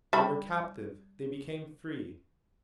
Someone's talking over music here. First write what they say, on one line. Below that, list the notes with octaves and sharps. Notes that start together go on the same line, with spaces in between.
They were captive; they became free.
G3 B5